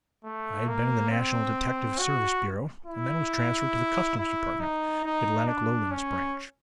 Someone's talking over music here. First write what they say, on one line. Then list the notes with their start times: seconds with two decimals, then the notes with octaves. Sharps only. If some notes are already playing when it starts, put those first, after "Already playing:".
I had been in the National Detective Service Bureau, and then was transferred to the Customs Department, Atlantic Lowlands Branch.
0.24 A3
0.68 A#3
1.11 C4
1.99 F#4
2.86 E4
4.17 E4
4.60 D#4
5.04 D#4
5.47 D4
5.91 C#4